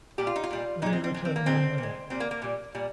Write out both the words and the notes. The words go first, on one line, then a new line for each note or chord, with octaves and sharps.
When are you returning my money?
A#2 G3 G4
F4
D#4
F4
A#2 G3
A#2 G#3 D#4
C4
C4
A#2 G#3 C4
C4
A#3
A#2 G#3 C4
A#2
G#3
A#2 G3 C4
A#3
A#3
A#2 G3
A#2 G3